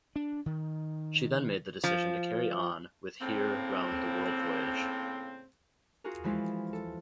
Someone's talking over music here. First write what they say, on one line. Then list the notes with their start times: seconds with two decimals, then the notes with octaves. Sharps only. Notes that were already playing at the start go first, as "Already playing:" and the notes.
She then made the decision to carry on with here round the world voyage.
0.16 D4
0.46 D#3
1.84 F3
3.20 A2 C#3 A#3 C4
6.04 F4 F#4 G#4 A#4
6.24 E3 F3 G#3 E4 F4
6.73 A4